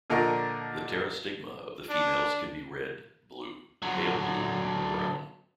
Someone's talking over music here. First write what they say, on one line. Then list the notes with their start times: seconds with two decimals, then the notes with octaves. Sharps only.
The pterostigma of the females can be red, blue, pale blue or brown.
0.10 A#2 D3 F3 A#4 D#5 C#6
1.89 D4
3.82 D3 F#3